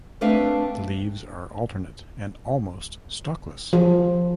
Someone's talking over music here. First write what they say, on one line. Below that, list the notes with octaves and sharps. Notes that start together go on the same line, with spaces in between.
The leaves are alternate and almost stalkless.
A3 C4 D4 B4 E5 F5
F3